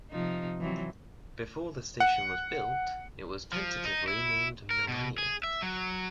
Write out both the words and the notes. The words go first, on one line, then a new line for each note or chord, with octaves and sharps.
Before the station was built, it was tentatively named Millenia.
C3 F3 D#4
E3 F#3 C4
F#5
F3
D#4
E4
A#4
B2
G#4
E5
F#3